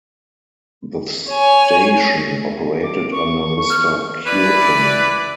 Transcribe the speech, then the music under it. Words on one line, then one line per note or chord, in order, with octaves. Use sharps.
The station operated under Mr. Cureton.
C#5 G#5
D6
C#6
F6
E3 E4 B4 D5